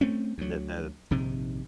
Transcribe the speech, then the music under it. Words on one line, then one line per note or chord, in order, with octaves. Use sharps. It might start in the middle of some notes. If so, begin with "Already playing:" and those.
And, eh, that
A3 C4 C#4
D2 F#3
A#1 G#2 C3 D#3